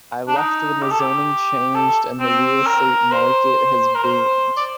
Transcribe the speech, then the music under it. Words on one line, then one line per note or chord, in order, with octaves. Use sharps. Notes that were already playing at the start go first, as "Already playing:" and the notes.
I left when the zoning changed and the real estate market has boomed.
D4
D#4
G4
A4
G4
A4
C4
A#4
C5
A#4
C5
D5